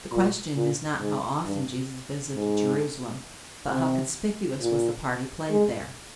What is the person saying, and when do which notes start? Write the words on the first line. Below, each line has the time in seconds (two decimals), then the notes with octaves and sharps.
The question is not how often Jesus visited Jerusalem, but how conspicuous was the part he played there.
0.11 A#2
0.56 A#2
1.00 G#2
1.45 G2
2.35 G#2
3.71 C3
4.61 A#2
5.50 G#3